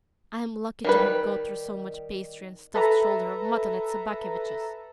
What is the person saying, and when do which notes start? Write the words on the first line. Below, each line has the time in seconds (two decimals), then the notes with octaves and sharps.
"I am lucky to have got through so much pastry and stuffed shoulder of mutton at Sobakevitch's!"
0.84 D#3 G3 B4
2.75 A4 B4 E5 A#5